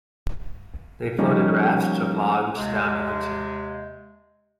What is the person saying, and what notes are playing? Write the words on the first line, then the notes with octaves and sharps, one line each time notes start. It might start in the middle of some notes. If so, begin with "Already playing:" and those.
They floated rafts of logs down the Hudson.
F3 G3 A#3 C#4 D#4
D#2 C3 G#3